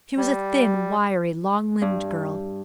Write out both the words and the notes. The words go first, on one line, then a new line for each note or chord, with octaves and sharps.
She was a thin, wiry, long-limbed girl.
G3
G2